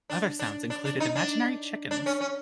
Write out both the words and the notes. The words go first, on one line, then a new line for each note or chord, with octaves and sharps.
Other sounds included imaginary chickens.
D4
D4
D4
D4
D#4
D4
D4
C#4
C#4